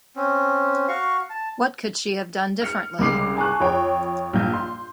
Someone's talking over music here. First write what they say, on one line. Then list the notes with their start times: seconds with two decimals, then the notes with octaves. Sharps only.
What could she have done differently?
0.16 C4 C#4
0.88 F#4 F5 C#6
1.30 A5
2.62 F6 C#7
2.99 C2 C#3 G#3 D6 C7
3.37 G#5 A5 C#6 F#6
3.60 F2 F4 C#5 G5
4.33 A#1 G2 G6
4.53 C6